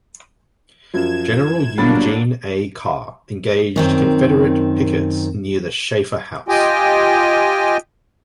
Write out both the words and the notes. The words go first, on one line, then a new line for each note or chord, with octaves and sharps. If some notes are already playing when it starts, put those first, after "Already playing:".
General Eugene A. Carr engaged Confederate pickets near the Shaifer House.
F#2 F3 G#6 E7
G1 F#3 A#3 D4 B5 A6
F#2 D#3 C4
F4 G4 D#5 G5 G#5